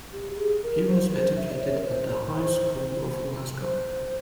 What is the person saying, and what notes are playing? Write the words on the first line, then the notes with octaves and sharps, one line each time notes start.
He was educated at the High School of Glasgow.
G4
G#4
A#4
C5
C5
E5
C5
C#5
A#4
C5
C5